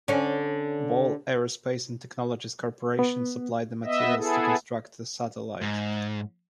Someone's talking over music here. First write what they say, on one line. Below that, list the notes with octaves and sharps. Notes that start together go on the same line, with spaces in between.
Ball Aerospace and Technologies Corporation supplied the materials to construct the satellite.
D3 C#4
B3
B3 D#5 E5
B3 E4 G#4 A4
G#2